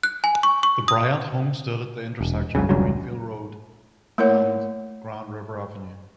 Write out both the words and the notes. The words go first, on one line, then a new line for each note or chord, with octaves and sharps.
The Bryant home stood at the intersection of Greenfield Road and Grand River Avenue.
F#6
G#5
C#6
C#6
D#6
E1
G1 C#2 F#2 C#3
E1 C#2 G2 F#3
A3 A#3 E4 A#4 C#5 F#5